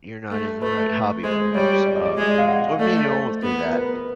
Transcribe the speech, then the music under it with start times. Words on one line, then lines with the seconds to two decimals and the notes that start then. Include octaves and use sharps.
you're not in the right hobby perhaps, um, or may know won't say that.
0.31 A3
0.62 A3 B4
1.23 G#3 C5
1.55 G3 C#5
1.87 D5
1.95 D#5
2.05 D5
2.17 G#3 D#5
2.28 D#5
2.38 F5
2.49 F#5
2.79 A3 D5
3.10 C5
3.42 B3
3.63 A#4
3.73 B4